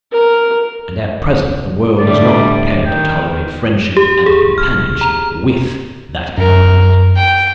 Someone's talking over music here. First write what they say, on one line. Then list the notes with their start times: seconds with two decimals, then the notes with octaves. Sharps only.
And at present the world is not prepared to tolerate friendship and companionship WITH that accompaniment.
0.12 A#4
1.98 A2 D3 G3 D5
2.86 D#3 G5
3.97 G4
4.26 G#4
4.58 F6
5.01 A#5
6.38 F#2 A#4
7.16 G5